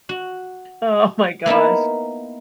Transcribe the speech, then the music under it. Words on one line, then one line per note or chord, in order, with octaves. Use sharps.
Oh my gosh.
F#4
A#3 B3 D#4 E4